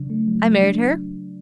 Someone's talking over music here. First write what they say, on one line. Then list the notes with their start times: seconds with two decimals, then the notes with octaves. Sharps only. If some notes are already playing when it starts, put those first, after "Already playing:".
I married her.
Already playing: C#3 F#3 D4
0.10 A3
0.28 F#3
0.45 F#3
0.63 D4